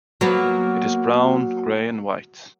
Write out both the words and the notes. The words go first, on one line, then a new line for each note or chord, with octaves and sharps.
It is brown, gray, and white.
F#3 A#3 B3